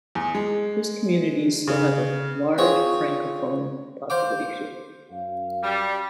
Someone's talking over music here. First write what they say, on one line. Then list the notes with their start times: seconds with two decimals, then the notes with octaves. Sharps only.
These communities still have a large francophone population.
0.15 E2
0.35 G#3
1.68 C#3
2.58 C4 F4 G#4 C#5
4.10 C5 F5 D6
5.10 F#2 F5
5.63 G3